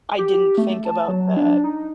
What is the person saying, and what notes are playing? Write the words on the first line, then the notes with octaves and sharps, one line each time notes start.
I didn't think about that.
G4
A3
A5
F#3
D4
D#4